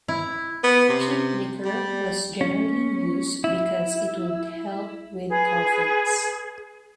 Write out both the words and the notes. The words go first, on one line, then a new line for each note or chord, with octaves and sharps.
Cheap liquor was generally used because it would help with profits.
E4
B3
C3
G3
C#4
E4
G#4 B4